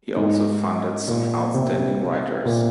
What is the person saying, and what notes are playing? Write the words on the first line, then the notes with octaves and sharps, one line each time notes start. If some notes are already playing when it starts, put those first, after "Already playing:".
He also funded some outstanding writers.
G#2
A#2
C3
A#2